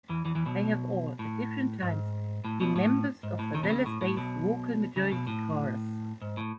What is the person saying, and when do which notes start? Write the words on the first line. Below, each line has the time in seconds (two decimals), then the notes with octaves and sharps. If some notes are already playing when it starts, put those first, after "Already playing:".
They have all, at different times, been members of the Dallas-based Vocal Majority chorus.
0.09 E2 E3
0.25 E2 E3
0.35 E2 E3
0.46 B1 B2
1.19 A2
1.82 G#2
2.45 A2
2.60 B1 B2
2.76 A2
3.23 G#2
3.39 A2
3.54 D#2 D#3
3.63 B2
3.70 C#2 C#3
3.86 A2
4.01 A2
4.17 B1 B2
4.96 C#2 C#3
5.12 B1 B2
5.27 A2
6.22 G#2
6.37 A2